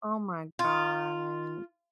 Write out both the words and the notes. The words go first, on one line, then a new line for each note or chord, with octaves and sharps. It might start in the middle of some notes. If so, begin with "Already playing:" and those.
oh my god.
F4